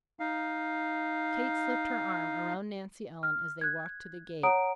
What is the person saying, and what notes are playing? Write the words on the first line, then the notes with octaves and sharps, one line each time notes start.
Kate slipped her arm around Nancy Ellen as they walked to the gate.
D#4 F5
F6
F#6 G#6
C#5 F#5 A#5 D#6 D7